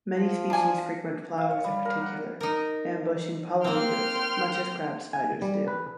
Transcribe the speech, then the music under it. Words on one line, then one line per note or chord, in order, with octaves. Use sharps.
Many species frequent flowers in particular, ambushing pollinators, much as crab spiders do.
F3
D4 G#5
F5
C#5
G3
A#4
F#5
D#4 A#4
A#3 C4 G5 C6 F6
G#5
G3
B4